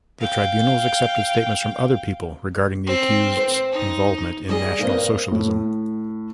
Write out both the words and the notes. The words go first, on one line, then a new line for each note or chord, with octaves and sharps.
The tribunals accepted statements from other people regarding the accused's involvement in National Socialism.
F5 G5
C4
C5
D#4
G3 G#4 D#5
G2 A#3 C4
A2